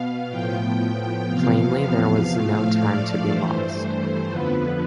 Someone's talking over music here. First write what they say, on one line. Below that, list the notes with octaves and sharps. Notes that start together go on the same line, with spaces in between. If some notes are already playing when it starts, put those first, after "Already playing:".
Plainly there was no time to be lost.
Already playing: B2 B3 F5
A2 F3 B3 G5
E2 C3 F3 B3 F5
F5
A2 F3 A3
D5
G2 E3 A3 C5
F2 D3 F3 B3 B4